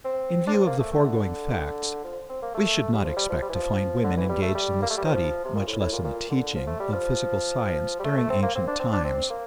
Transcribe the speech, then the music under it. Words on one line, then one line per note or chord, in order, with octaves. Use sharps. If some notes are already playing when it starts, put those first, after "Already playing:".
In view of the foregoing facts, we should not expect to find women engaged in the study, much less in the teaching, of physical science during ancient times.
C4
D4
C4
A#3
A3
A3
D3
F3
C4
A#3
A3
G3
F3
G3
F3
G3
E3
F3
D3
E3
G3
A3
G3
A#3
A3
G3
F3
C3
A#2
A2
A2
A#2
A#2
D3
F3
A3
G3
F3
G3
A3
A3
C4
A#3
C4
D4
C4
D4
C4
A#3